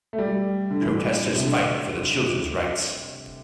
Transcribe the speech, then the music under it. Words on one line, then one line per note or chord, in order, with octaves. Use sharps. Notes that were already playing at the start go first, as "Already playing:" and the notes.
Protesters fight for the children 's rights.
A3
G3
D3
E3
C3
D3